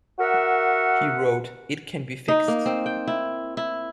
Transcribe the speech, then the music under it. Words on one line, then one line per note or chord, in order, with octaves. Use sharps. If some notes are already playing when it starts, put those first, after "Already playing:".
He wrote It Can Be Fixed!
F#4 A#4 E5 F#5
D#4
A#3
C4
G5
E4
E4